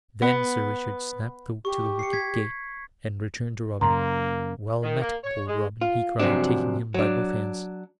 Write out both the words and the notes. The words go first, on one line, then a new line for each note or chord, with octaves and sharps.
Then Sir Richard snapped to the wicket gate, and returned to Robin. "Well met, bold Robin," he cried, taking him by both hands.
B3
G4 C#6
C7 C#7
G#6 B6
F#2 C#3 A#3 A#5 C6
D#3
A#3
C#5
G#3
F4
F#2 C3 D#3 F3 F#3 D4
F#3 D4